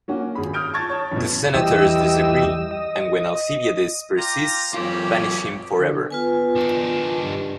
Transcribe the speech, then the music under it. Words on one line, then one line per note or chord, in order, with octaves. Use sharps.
The senators disagree, and, when Alcibiades persists, banish him forever.
A#3 C#4 F#4
G#1 G#4 B5
D#6 F6 G6 D7
A5 C#6 G#6 A6
C#5 A5
A1 B2
E2 E3 G3 G4 D#5 E6
D#5
F4 G5 A#5 D6
F#2 A#3 C#4 F4 G4
D3
B3 F4 B4 G#5
D#3 D4
G2